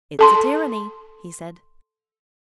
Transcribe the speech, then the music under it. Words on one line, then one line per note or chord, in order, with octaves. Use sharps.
"It's a tyranny," he said.
A4 A5 C6